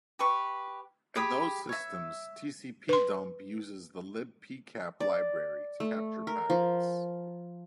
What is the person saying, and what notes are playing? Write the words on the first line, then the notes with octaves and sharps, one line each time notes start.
In those systems, tcpdump uses the libpcap library to capture packets.
G4 B4 C#6
G4 G#4 B5 D#6
C#5 E5
B4 C6
D5
A3
A#4
F3